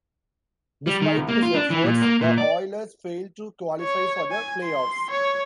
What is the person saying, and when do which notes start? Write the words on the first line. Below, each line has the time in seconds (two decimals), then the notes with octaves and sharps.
Despite his efforts, the Oilers failed to qualify for the playoffs.
0.87 G3
1.01 D#3
1.17 C2
1.29 A#3
1.43 F4
1.55 D4
1.70 E3
1.84 A#2
2.02 A#3
2.21 A#2
2.38 D5
3.81 C#5
4.31 G#5
4.64 C6
5.11 C#5